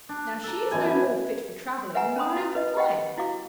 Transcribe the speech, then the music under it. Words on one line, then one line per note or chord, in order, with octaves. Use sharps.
Now she is no more fit for travelling than I am for flying.
D4
A4 A#5
F#2 B2 E3 G#5
B4 E5 F#5 G#5 A#5
C#4 C5 B5 C6 D#6
E4 F#4
B4 D#5
G4 D#5 F#5 G5
E4 F#4 F5 D6